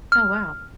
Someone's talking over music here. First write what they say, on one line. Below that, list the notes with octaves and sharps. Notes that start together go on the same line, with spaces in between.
Oh, wow.
F6